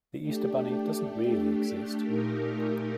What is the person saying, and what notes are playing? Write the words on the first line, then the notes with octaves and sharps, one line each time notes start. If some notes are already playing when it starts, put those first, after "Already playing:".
The Easter Bunny doesn’t really exist.
A3 D4 G4
A#2 A3 D#4 G4 A#4